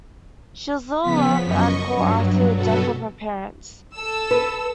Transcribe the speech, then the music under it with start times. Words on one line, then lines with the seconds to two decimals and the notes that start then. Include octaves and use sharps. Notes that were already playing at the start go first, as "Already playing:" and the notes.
She was little loved at court after the death of her parents.
1.02 C#3 F3 B3 B6
1.44 F#2 D#5 C#6
1.94 G2 F#3
2.55 B2 B3 F#4 A4
3.94 A4 E6
4.31 B4